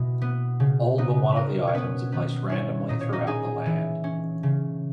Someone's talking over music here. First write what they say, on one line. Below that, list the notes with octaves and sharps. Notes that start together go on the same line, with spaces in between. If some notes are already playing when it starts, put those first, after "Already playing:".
All but one of the items are placed randomly throughout the land.
Already playing: B2 E4
B3
C#3
B3 D#4 B4
B2 A#4 B4
C#5
B3 C#4 B4
D#3 B3 B4
C#4 E4 C#5
A#2 D#5
C#5
D#4 D#5
D#4 G#4 G#5
E3
C#4
C#3